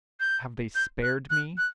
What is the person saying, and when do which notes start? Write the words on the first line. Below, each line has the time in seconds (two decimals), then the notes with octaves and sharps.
Have they spared me?
0.20 G6
0.75 G6
1.02 F#6
1.30 F#6
1.57 F#6